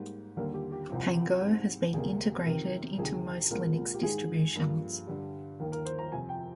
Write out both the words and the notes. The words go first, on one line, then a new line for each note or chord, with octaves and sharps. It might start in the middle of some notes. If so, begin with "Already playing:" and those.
Pango has been integrated into most Linux distributions.
Already playing: G#2 G3 A#3
D#2 D3 G3 A#3 A#4
G4
G4
C2 C3 F3 C4
G#2 G3 C4
D2 C3 G3 A#3 G#4
F2 C3 D#3 A#4
D2 C3 D#3 G#4
C2 A#2 G#3 C4 A#4
G4
G#2 D#3 G#3 G#4
G2 F3 A#3
G2 D3 G3
D#2 D#3 A#3 A#4
A#4
C5
A#5
F2 C3 F3 G#5
G5